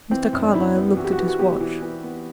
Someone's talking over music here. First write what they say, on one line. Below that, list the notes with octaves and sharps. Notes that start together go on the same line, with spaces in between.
Mr. Carlyle looked at his watch.
E3 C4
F#2
D4
F#2 E4
B3
E3 F#4
G4
F#4
E3 G4
F#4
B3 G4
E3
E3
B3